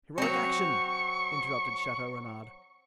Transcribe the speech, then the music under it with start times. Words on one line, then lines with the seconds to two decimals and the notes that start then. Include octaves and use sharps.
"Heroic action," interrupted Chateau-Renaud.
0.18 F#3 C4 C#6